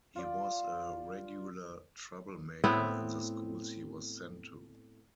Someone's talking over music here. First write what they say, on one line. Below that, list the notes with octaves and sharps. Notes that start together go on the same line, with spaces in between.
He was a regular troublemaker in the schools he was sent to.
F4 D5
A2 B3 C4 E4